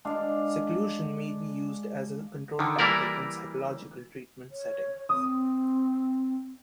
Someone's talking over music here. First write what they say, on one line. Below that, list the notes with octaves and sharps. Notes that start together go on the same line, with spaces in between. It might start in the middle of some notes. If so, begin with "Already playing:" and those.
Seclusion may be used as a control tactic in psychological treatment settings.
G#3 D4 F5
D3 D#3
E3 G3 A#3 E4 A#4 D5
C#5
C4 D#6